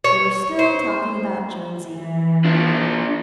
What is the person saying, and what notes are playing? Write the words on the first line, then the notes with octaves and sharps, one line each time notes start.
They were still talking about Jonesy.
C#5
C5
E3
D4 F4